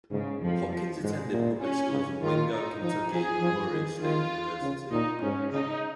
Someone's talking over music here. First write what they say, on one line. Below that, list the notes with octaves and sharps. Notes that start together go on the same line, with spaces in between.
Hopkins attended public schools in Wingo, Kentucky and Murray State University.
G#2 C#3
F2 F3
F3
G#2 G#3
A#2
C#4
C#3
D#3 F4
D#4
F3 D#4
F3 G#4
F3
D#3
D#3 F4
C#3
A#2 D#4
G#2 C#4
C#3 D#4